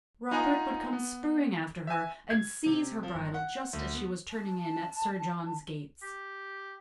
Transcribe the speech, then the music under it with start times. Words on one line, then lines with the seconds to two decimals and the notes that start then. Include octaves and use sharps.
Robert would come spurring after her and seize her bridle just as she was turning in at Sir John's gates.
0.31 D#4 F4 F#5 G#5 A#5
0.93 B3
1.87 E5 G#5
2.30 G#6
2.66 C3
3.03 F3
3.15 G1
3.34 F#5
3.73 D2
3.94 B3
4.30 A5
6.02 G4